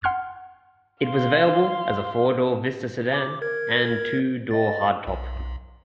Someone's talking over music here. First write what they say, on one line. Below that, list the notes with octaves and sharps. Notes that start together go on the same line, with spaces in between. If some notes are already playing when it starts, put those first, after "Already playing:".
It was available as a four-door Vista sedan and two-door hardtop.
F#5 C6 F6 G#6
F5 C6
D6
A#4 G#6
D#5 A6
B1